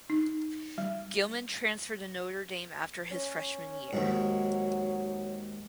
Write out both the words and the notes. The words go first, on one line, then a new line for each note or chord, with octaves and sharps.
Gilman transferred to Notre Dame after his freshman year.
D#4
G3
C#4
D#2 G#2 F#3